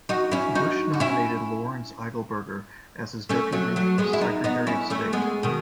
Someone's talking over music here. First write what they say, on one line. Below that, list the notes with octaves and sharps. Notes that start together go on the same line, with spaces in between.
Bush nominated Lawrence Eagleburger as his Deputy Secretary of State.
D#4 F#4
C#4 E4
D#4 F#4
F#4
C#4 E4
A3 C#4
F#3 A3
F#3 A3
G#3 B3
E4
B3 D#4
B3 D#4
C#4 E4
A3 C#4
G#3 B3
B2 D#3